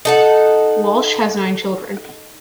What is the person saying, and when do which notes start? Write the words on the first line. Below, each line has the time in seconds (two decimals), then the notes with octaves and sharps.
Walsch has nine children.
0.05 D#4 A4 F#5